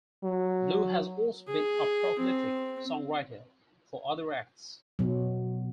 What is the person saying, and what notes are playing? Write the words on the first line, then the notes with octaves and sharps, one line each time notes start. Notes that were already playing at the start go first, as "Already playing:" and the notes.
Blue has also been a prolific songwriter for other acts.
F#3
G#4
C4
B2 F#3